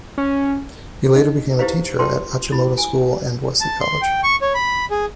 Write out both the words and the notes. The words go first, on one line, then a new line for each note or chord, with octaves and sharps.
He later became a teacher at Achimota School and Wesley College.
C#4
D#4 D#5
E4 G4 B4 C5 F5 A#5
F4 G4 G5 A5 C6
E4 B5
G#5
A5
C6
G5
C#6
C#5
B5
G#4